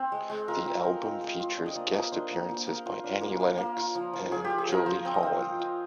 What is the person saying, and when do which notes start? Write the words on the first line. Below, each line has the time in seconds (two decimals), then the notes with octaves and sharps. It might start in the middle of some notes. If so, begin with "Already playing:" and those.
The album features guest appearances by Annie Lennox and Jolie Holland.
Already playing: C4 C5
0.12 G#3
0.30 G#3
0.48 F4 A#4
0.66 C4
0.85 G#3
1.03 C4
1.21 G#3
1.40 F4
1.57 D4
1.66 D#5
1.75 A#3 D5
1.93 A#3 D#5
2.12 D4 C5
2.31 A#3
2.49 A#3
2.67 A#3 A#4
2.86 F4
3.04 D4
3.21 A#3
3.40 A#3
3.58 A#3
3.77 F4
3.95 F3
4.13 F3
4.32 F3 G#4
4.45 G4
4.50 F4
4.58 G#4
4.69 F3 A#4
4.86 F3 C5
5.05 C4
5.14 D#5
5.23 C4
5.41 F4
5.60 F4